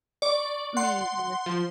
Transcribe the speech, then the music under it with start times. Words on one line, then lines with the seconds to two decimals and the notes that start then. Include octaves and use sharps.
I mean, he was
0.22 D5 C#6
0.77 F#5 C6
1.46 F3